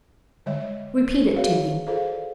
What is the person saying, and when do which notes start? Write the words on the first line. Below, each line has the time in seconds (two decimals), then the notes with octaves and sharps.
"Repeat it to me."
0.46 D3 G3 G#3 C#5 D#5 E5
1.36 F#4 G#4 B4 C#5 E5 F5
1.87 F4 G#4 A4 C5 D5 F5